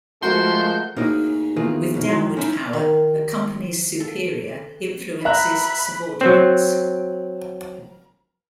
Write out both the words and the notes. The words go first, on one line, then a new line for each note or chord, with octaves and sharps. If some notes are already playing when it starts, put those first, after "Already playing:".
With downward power, a company's superior influences subordinates.
F3 G#3 A3 F#4 A#4 C6 G6
A2 A#3 D#4 E4 F#4 G#4
E2 D#3 E3 A#3 F4 G#4
F#2 B2 D#3
F#2 D#3 F#3 E4
C#4 D#4 E4 A5
D#3
A4
E5 A#5 B5 F#6
F#3 C4